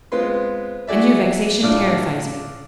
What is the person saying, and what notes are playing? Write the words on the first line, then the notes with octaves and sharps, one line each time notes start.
And your vexation terrifies you.
G#3 B3 C4 F4 B4 C6
E4 F#4 G#4 D5 E5
A2 D4 F4 D5 F5 F6